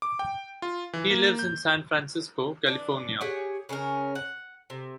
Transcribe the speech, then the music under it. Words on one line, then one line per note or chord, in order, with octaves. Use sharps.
He lives in San Francisco, California.
D6
G5
F4
E3
A#3
G6
E3 D4
G4 G#4 C#5 F#5
C#3 C#4 A4 A#4
F#5
C3